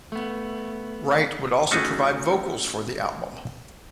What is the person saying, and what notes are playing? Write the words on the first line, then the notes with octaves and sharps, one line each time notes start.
Wright would also provide vocals for the album.
A3 B3
A3 C#4 D#4 F#4 G#4